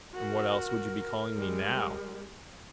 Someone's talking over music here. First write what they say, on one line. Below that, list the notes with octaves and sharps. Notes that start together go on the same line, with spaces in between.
"And what else would you be calling me now?"
F#4 A#4
G3 G#3